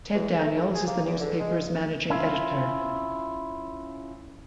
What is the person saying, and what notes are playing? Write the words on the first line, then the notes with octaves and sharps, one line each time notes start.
Ted Daniels is the newspaper's managing editor.
E2
A3
A2
G#4
A#3
E2
D3
G#3
C#4 E4 F4